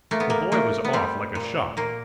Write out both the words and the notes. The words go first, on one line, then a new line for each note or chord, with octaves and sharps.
The boy was off like a shot.
A3 A#3
B3
A#3
A3 A#3
B3
G3 C4
A#2
A#2 A#3